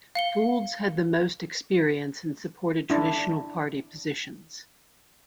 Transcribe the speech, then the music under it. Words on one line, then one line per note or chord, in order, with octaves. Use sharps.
Foulds had the most experience and supported traditional party positions.
F5 C#7 G7
D4 E4